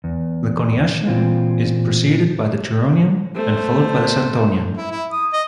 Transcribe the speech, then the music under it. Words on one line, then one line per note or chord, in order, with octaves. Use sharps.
The Coniacian is preceded by the Turonian and followed by the Santonian.
E2
A#2 E3 C4 F4
A3 C5
E4
E4
D#6
D#5